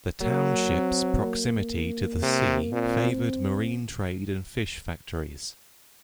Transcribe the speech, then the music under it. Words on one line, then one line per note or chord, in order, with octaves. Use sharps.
The township's proximity to the sea favoured marine trade and fish factories.
F#3 A#3
C4
A#3
C3
A#2 C4